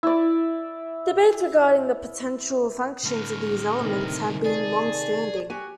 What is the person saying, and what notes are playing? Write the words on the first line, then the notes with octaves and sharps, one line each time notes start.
Debates regarding the potential functions of these elements have been long standing.
E4 D5
A2 D3 A#4
C3 D#3
G#4 D5 A5
F#4 G4 G#5